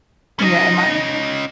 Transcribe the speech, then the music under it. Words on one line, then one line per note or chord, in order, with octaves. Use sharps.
Yeah, it might.
C#4 D#4 D#5